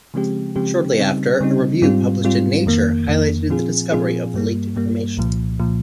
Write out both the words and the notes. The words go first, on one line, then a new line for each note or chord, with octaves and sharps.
Shortly after, a review published in "Nature" highlighted the discovery of the leaked information.
C#3 F3 G#3 C4 G4
C#3 F3 G#3 C4 G4
C#3 G3 C4 D#4
C#3 G3 C4 D#4
G#2 G3 C4 F4
G#2 G3 C4 F4
F2 D#3 A#3
F2 D#3 A#3
A#2 F3 C4 F4 G#4
A#2 F3 C4 F4 G#4
G2 G3 A#3
G2 G3 A#3
C2 A#2 F3
A#2 F3